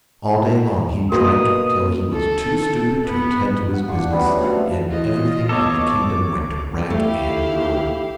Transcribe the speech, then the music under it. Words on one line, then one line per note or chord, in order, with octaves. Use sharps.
All day long he drank till he was too stupid to attend to his business, and everything in the kingdom went to rack and ruin.
B2 A#3 F#4 D#6
A4
B3
F#5
D4 F4 F#5 C#6
D3 G3 B3 C#4
A2 F#3
A2 F3 F5 F#5
E3 F4 D#5
B3 D#4 A4 C#5 D6
A3 E4 G4 F5